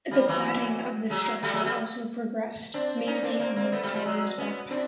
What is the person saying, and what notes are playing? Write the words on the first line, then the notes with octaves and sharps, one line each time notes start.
The cladding of the structure also progressed, mainly on the tower's "backpack".
F3 G3
E3 F#3
F#3 G#3
G3 A3
F#3 G#3
G3 A3
C4 D4
C#4 D#4
C4 D4
A#3 C4
A#3 C4
A3 B3
G3 A3
F3 G3
F#3 G#3
B3 C#4
C4 D4